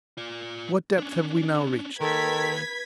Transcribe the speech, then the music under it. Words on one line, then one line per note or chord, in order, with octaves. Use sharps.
"What depth have we now reached?"
F4 D5
C#4 D4
D#2 D#3 A4 B4 G#6 B6